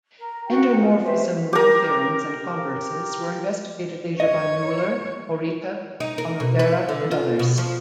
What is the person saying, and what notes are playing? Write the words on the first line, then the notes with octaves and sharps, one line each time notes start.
Endomorphism ring theorems and converses were investigated later by Mueller, Morita, Onodera and others.
A#4
F#4 G5
F4
G4 B4 C5 E5
G4 A#4
C#5 D#5
D#4
A#4
B2
B4
D3
F4
B2
F3